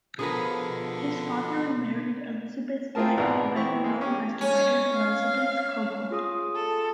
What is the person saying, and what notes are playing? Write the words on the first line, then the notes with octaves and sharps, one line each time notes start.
His father remarried Elizabeth Knipe better known as the writer Elizabeth Cobbold.
B2 D3 F3 G#4 A#4 B4
C4 E4 F4 G#4 A#4 A5
G#1 B2 D4 B4 F#5 A#5
E3 C4 C#6
G#3
C#4 G4
C#4 C#5 G#5
F5
F4 G#4 D#6
A4